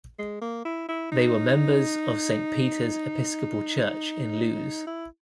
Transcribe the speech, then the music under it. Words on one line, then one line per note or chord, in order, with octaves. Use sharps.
They were members of Saint Peter's Episcopal Church in Lewes.
G#3
A#3
E4
E4
D#4
E4